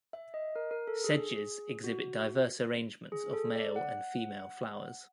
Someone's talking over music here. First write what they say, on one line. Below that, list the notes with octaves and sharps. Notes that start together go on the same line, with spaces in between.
Sedges exhibit diverse arrangements of male and female flowers.
E5
D#5
A#4
A#4
A4
G#4
F#4
G#4
A4
D5
F#5